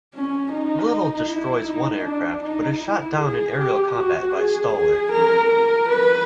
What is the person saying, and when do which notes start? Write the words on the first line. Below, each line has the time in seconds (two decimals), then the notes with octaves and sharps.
Little destroys one aircraft, but is shot down in aerial combat by Stoller.
0.14 C#4
0.52 D#4
1.29 E4
1.68 D#4
2.05 D4
2.43 D#4
2.82 E4
3.20 G#4
3.59 G4
3.97 F#4
4.35 G#4
4.74 G#4
5.12 A#4
5.50 A#4
5.89 B4